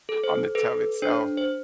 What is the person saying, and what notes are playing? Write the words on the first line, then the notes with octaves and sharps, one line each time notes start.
on the tub itself
A4
C5
A4 B4
D4 C5
C5